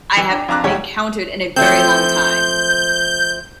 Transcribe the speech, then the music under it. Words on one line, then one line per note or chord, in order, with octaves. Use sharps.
I have encountered in a very long time,
E3
D4 G5
F2 D4 F5 A#5 D6 F#6
A#1 D#2 G3 C#5 F#5
F3 A3 C4 G6